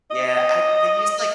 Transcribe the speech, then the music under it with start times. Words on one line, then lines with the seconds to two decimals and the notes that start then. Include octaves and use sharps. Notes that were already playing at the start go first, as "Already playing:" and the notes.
Yeah, I they use, like
0.11 D#5